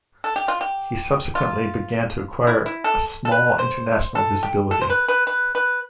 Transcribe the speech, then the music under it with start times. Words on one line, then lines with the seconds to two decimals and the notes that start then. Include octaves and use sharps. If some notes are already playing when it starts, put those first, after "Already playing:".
He subsequently began to acquire a small international visibility.
0.24 A4
0.36 G4
0.48 F4
0.61 G4
1.35 F4
2.47 E4
2.66 E4
2.84 A4
3.25 A4
3.31 B4
3.59 C5
4.15 A4
4.43 G4
4.71 A4
4.82 C5
4.90 B4
5.08 B4
5.27 B4
5.55 B4